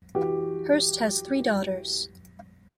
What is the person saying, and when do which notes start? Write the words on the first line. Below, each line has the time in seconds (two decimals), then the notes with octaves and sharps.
Hirst has three daughters.
0.15 E3 F#4 G4